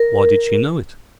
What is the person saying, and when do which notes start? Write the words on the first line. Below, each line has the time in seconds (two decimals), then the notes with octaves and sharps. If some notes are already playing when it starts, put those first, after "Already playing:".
Why did she know it?
Already playing: A#4